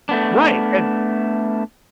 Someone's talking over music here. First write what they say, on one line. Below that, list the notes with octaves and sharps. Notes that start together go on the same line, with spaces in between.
Right, and
A3 B3 D4